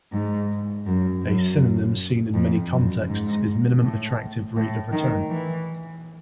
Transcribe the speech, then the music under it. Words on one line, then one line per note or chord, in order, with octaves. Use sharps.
A synonym seen in many contexts is minimum attractive rate of return.
G#2
F#2
F#2
F2
F#2
G#2
A2
A2
D#3
E3